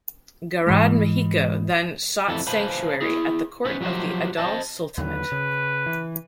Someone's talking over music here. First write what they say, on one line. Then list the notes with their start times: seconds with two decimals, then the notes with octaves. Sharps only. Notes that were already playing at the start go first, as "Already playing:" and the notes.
Garad Mahiko then sought sanctuary at the court of the Adal Sultanate.
0.67 G#2 E3 G#3
2.28 F2 E3 A4
2.47 B4 C5 F5 G#5 A5 B5
3.01 E4 G#4
3.65 B3 C#4 B4 C5
3.81 F3 F#3 F#4 G4 C5
4.37 C5 D#5 A5
4.98 D#2 D3 F#3 B4
5.32 C#3
5.86 E3